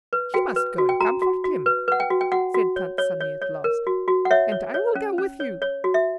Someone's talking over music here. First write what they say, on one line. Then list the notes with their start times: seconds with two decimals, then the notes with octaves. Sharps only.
You must go and comfort him," said Tant Sannie at last, "and I will go with you.
0.13 B4
0.34 F#4 G5
0.56 B4
0.78 F#4
0.89 G5
1.00 F#4 A#5
1.22 F#4
1.44 F#4
1.66 B4
1.88 B4 F#5
2.00 G5
2.10 F#4
2.21 G5
2.32 F#4 F#5
2.54 F#4
2.76 C#5
2.98 C#5
3.20 C#5
3.42 C#5
3.64 A#4
3.87 F#4
4.08 F#4
4.25 F#5
4.31 C#5 E5
4.52 C#5
4.74 C#5
4.95 C#4
5.18 C#4
5.40 C#5
5.62 C#5
5.84 F#4
5.94 E5